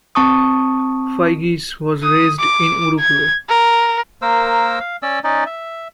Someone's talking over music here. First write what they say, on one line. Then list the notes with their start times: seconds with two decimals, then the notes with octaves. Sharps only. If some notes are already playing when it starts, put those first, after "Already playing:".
Fygi's was raised in Uruguay.
0.15 C4 A5 C#6 D#6
2.03 D#6
2.39 D6
3.00 G#6
3.49 A#4
4.22 A#3 A#4 C5 E6
4.80 F5
5.03 C#4 D5 E6
5.24 C#4 D#4 D5
5.46 E5